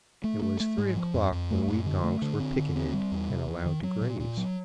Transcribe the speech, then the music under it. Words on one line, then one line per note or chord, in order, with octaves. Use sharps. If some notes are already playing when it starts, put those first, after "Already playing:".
It was three o'clock when we donks were picketed and allowed to graze.
A3
A3
A3
G#2
F3
F2
F2
A3
F#2
D3
A3
D3
C4
D3
C4
G3
E2
C3
E2
D#3
F#3
A#2
A#2
F#3